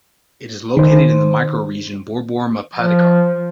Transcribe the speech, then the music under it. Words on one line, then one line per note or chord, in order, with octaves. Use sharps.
It is located in the micro region Borborema Potiguar.
D#3 C5
F3